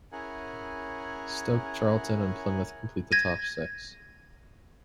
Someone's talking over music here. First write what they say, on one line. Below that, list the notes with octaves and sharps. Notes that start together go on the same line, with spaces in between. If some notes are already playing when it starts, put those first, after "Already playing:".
Stoke, Charlton and Plymouth complete the top six.
C#4 E4 G#4 A#4 F#5 G#5
G#6 A#6 D#7